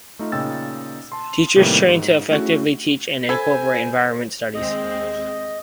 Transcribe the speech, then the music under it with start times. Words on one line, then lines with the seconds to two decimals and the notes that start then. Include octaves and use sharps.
Teachers train to effectively teach and incorporate environmental studies.
0.19 A3 D#4 F4
0.32 A#2 C#3 D#4 G5 E6 A6
1.12 A5 C6
1.56 A2 C3 D#3 E3 G3 A#3
1.89 G#2
2.30 A3 C#4 E4 F#4 G#4
3.29 A4 C5 G#5 B5 G#6
4.55 D#2 G#3 C4 D#5